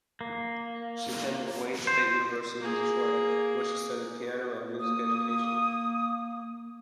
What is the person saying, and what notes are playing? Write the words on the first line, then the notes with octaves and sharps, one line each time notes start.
She attended Wayne State University in Detroit, where she studied piano and music education.
A#3
C5
A#3 G#4
A#3 D#6